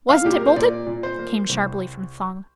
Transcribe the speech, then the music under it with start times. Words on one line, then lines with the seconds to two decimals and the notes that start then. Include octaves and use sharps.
"Wasn't it bolted?" came sharply from Thong.
0.09 F5
0.25 A#2 G4
0.36 A#4
0.46 C5
0.56 A#2 D5
0.86 A#2
1.03 C5
1.19 A#3
1.49 C2